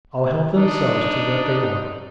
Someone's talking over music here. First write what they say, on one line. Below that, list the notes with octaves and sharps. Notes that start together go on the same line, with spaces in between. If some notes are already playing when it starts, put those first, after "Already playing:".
All help themselves to what they want.
D4 D#4